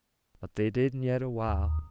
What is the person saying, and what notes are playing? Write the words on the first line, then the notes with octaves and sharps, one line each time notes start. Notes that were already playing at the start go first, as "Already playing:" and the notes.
But they didn't yet a while.
D#2